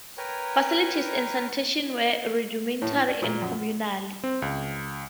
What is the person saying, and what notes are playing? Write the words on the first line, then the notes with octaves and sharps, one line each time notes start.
Facilities and sanitation were rudimentary and communal.
A#4 B4 C#5 G5 G#5 A#5
A2
C#4
D5
A#2
F#2
C4
C#2